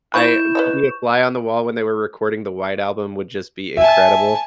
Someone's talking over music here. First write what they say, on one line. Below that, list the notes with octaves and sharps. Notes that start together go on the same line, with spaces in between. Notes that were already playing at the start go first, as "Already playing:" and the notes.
I to be a fly on the wall when they were recording the White Album would just be incredible.
D#4 E4 C5 B5 C#6 G6 E7
B4 C#5 D#5
E5 G#5 A5